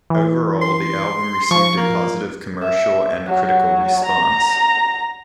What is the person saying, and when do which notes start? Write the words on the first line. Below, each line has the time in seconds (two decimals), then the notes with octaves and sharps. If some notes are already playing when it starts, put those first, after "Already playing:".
Overall, the album received a positive commercial and critical response.
0.10 E3
0.62 C6
1.51 F3 C#6
1.77 A#3
2.62 E5
3.27 F#3
4.04 A#5